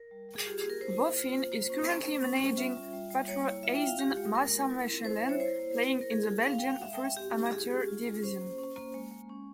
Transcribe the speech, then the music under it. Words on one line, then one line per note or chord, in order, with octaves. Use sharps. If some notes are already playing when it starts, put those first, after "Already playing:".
Boffin is currently managing Patro Eisden Maasmechelen playing in the Belgian First Amateur Division.
Already playing: A#4
G3
G3
G#4
F4 G4
G#4
A#3
A#4
E4 C5
A#3
F4
F4
A#3 C5
C#4
C#4
A#3
C#4
G3
F4 E5
F4
G3
G3
A#3 C#5
E4
F4 E5
G5
F4
F5
G#3 G4
G#3
A#3 A#4
F4
E4
C4
E4 C5
E5
G3
C#5
E4 C5
A#3
E4
E4
A#4
A#3 G#4
G#4
F4
G#3 F5
G5
G#3
F5
G#3 E5
G5
G#3 E5
C4 G4
G#3
G4
F4 G#4
C#4
F4
F4
C#4 C5
A#3
C#4
A#3
G#3
G#3
C#4